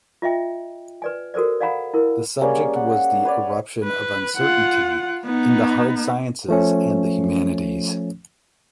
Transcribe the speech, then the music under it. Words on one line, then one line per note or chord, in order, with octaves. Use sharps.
The subject was the eruption of uncertainty in the hard sciences and the humanities.
F4 D#5 E5 G5
B4 D5 G#5
F#4 A4 A#4 C5 D5
D5 F5 F#5 G#5 A#5 B5
E4 A#4
G3 A#3 C#4 G#4
F#5
B4 C#5 D5
B4
F4 F#5
B3 D#4
F3 A3 C#4